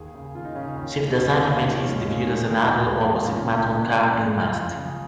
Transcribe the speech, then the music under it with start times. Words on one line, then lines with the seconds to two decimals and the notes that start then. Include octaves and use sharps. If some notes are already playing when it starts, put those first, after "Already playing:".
Shivdasani made his debut as an adult opposite Matondkar in "Mast".
Already playing: D#2 G#4
0.14 C#3
0.35 D#2 F4
0.45 D#4
0.55 C#3 C#4
0.65 D#4
0.77 D#2
0.98 D#3
1.10 D#4
1.18 D#2 C#4
1.33 C#4
1.40 D#3
1.47 A#3
1.61 D#2 C#4
1.74 F3
1.81 D#3
1.89 G#3
2.02 D#2 G#3
2.24 D#3
2.44 D#2
2.65 D#3
2.86 D#2 G#3
2.96 F3
3.06 D#3 G#3
3.17 A#3
3.28 C#2 C#4
3.42 C#4
3.49 C#3
3.56 A#3
3.69 C#2 D#4
3.90 C#3
4.11 F2
4.33 C#3
4.53 F2 F4
4.74 C#3